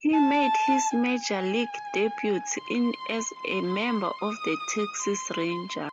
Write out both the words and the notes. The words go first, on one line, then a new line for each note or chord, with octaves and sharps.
He made his Major League debut in as a member of the Texas Rangers.
A5
G#5
C6
C6
D#6
C6